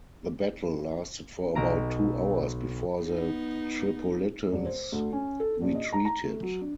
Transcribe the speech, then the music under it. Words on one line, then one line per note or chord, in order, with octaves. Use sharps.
The battle lasted for about two hours before the Tripolitans retreated.
B1 A#5 D7
B3 D#4
E1
C5
D2
C#4
A4
A#1
D#5
A#5
A#5
A3
F#3
D4